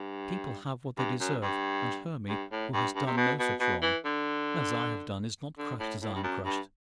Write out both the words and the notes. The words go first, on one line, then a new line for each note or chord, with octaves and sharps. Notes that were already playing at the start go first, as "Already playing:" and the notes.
But people have what they deserve, and Hermy, who has done no such wrong as I have done, is not crushed as I am crushed.
Already playing: G2
G2
F#2
G2
G2
A2
G2
G2
C3
B2
B2
B2
E3
D3
D3
A2
A2
G2
F#2
G2